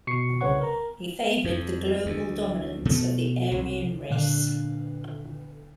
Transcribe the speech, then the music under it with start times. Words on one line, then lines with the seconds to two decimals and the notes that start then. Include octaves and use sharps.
He favored the global dominance of the Aryan race.
0.07 B2 C#6 C7 C#7
0.41 C2 C#3 B4 C#5 F#5 C#6
0.61 A#4 A#5
1.44 F2
2.06 D2
2.85 B2 A3
3.51 C2
4.10 A#2 D3 D4 F5 F#6